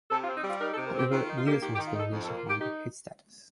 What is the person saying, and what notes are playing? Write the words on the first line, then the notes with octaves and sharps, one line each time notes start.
However, neither song gained nationwide hit status.
C3 A4
F4
C4
D#4
G3 F4
D#4 A#4
A4
C3
A#4
C4 G4
D#3 F4
F4
D#4
F4
A#3 G4
D#3 G4
G4
D#3
F4
D#4 A4
F2
A4
A#3
F4
D#3 G4
D#4 G4